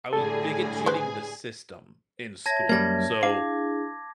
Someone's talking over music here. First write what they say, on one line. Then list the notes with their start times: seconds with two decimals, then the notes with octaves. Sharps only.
I was big at cheating the system in school. So
0.13 A2 D3 G3 G#4 A4 G#5
0.86 B4 C5
2.46 C#5 E5 A5 G#6 A#6
2.69 F#2 G3 A#3 G#6 A#6
3.23 D4 E4 G#4 F5 D6